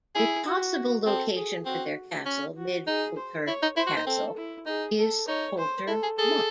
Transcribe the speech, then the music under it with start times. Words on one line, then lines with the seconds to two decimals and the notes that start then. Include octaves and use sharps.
A possible location for their castle, Midculter Castle, is Coulter Motte.
0.15 E4 G#4
0.45 F#4
1.05 C4 A4
1.36 G#4
1.66 C4 F#4
2.25 C#4
2.57 F#4
2.86 D#4 G#4
3.17 C5
3.46 E4 C#5
3.62 D#4
3.77 E4 C5
3.87 F#4
3.97 D#4
4.06 C4 A4
4.37 E4
4.67 D#4 G#4
4.97 A4
5.28 D#4 C#5
5.57 C5
5.87 E4 A4
6.03 G#4
6.18 G#4 A4